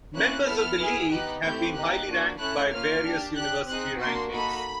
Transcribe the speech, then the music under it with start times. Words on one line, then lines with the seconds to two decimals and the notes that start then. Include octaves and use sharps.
Members of the League have been highly ranked by various university rankings.
0.15 A#3 C#4 E4 F#6
0.46 B3 E4 A4 F6
0.79 B3 E4 G#4
1.11 B3 D#4 G4 F#6
1.43 A3 C4 E4 G4 G6
1.75 A#3 D#4 G4 F#6
2.07 A#3 D4 F#4
2.39 A3 C#4 E4 F#6
2.72 A#3 C#4 F4 F6
3.04 D4 G4
3.36 D4 G4 F#6
3.68 C4 D#4 G#4 F#6
4.00 A#3 D4 F#4 C6
4.33 A#3 D#4 F#4 A4 B5